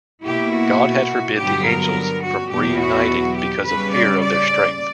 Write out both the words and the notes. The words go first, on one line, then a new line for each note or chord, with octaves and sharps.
God had forbid the angels from reuniting because of fear of their strength.
B2 A#3 E4 G4
F#4
G2 D3 F#3 B3 G4
A#4
F#4
E2 B2 F#3 B3 E4 G4
F#4
G4
C#3 G3 C#4 B4
D5
D5